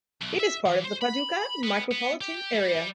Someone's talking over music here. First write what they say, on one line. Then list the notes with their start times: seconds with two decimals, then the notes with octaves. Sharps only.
It is part of the Paducah micropolitan area.
0.22 B1
0.40 E5
0.66 E3
0.84 C5
1.01 B5
1.64 B3
1.91 B3
2.21 G4
2.53 G3